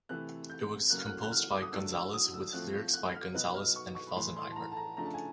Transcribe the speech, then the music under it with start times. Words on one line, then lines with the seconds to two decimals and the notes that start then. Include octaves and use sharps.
It was composed by Gonzalez with lyrics by Gonzalez and Felsenheimer.
0.09 C3 E3 A3 F#6
0.49 G6
0.90 C#3 F#3 A#3 C#4 F#6
0.98 F6
1.06 F#6
1.23 F#6
1.31 F6
1.51 D6
1.62 D#6
1.72 F#3 A3 D4 E6
1.92 E6
2.13 D#6
2.33 E6
2.53 F3 A3 C4 F4 F#6
2.73 G6
2.93 F#6
3.15 F6
3.34 B2 F#3 B3 D#4 F#6
3.55 F6
3.76 C#6
3.95 C#6
4.07 B5
4.15 A2 E3 A3 C6
4.36 C6
4.51 A5
4.56 A#5
4.72 A5
4.77 A#5
4.97 C#3 F3 A3 D4 A#5
5.06 A5
5.14 G#5